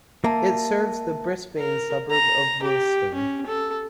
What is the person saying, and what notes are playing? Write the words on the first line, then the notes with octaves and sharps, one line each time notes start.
It serves the Brisbane suburb of Wilston.
A#3 E5 A5
A#4
A#5
G4
C#4
A4